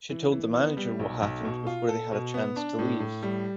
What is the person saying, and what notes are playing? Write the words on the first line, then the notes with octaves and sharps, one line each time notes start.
She told the manager what happened before they had a chance to leave.
E3
E3
B3
G3
B1
B1
B2
F4
A4
B2
B3
D4
A2
A2
G3